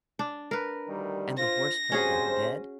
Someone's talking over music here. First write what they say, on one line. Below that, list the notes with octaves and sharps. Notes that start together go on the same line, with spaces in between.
And the horse fell down dead.
D4
A#4 B4
D2 D#3 G3
F4 C5 A#6
D2 C3 C#4 F#4 G#4 C5